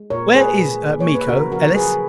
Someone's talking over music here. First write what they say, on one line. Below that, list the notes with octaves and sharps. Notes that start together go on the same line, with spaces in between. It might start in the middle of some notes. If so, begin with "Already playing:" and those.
"Where is Miko, Ellis?"
Already playing: G#3
A#2 A#4 C#5
G#3 G#4 B4
A#2
A#3
A#3 C#5
B4
C#3 F#4 A#4
F3 F#4 A#4
F#3 G#4 B4